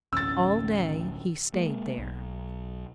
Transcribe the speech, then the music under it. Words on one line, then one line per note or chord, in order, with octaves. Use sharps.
All day he stayed there.
D1 A1 C#4 E6 A6
G#3 A#3
B1